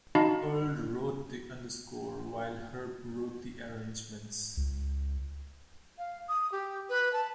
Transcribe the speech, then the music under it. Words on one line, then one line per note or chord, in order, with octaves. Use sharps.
Earle wrote the underscore, while Herb wrote the arrangements.
D#4 F#4 D#5 F5 A5 B5
C#2
F5
D#6
G4
B4
A5